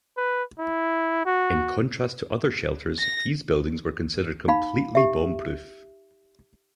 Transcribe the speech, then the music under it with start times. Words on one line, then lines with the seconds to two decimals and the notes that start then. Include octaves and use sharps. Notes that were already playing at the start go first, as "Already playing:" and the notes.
In contrast to other shelters, these buildings were considered completely bomb-proof.
0.17 B4
0.59 E4
1.25 F#4
2.98 A#6
4.48 D#4 F5 B5
4.95 G4 E5